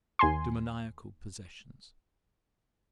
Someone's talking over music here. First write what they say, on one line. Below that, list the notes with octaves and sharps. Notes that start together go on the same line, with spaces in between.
Demoniacal possessions.
D#2 G#5 C6